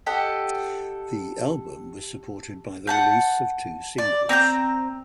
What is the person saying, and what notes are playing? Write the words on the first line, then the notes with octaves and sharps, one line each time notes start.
The album was supported by the release of two singles.
G4 A4 D#5 F#5
F#5 A5 G6
D5
C4 A#5 C6 G6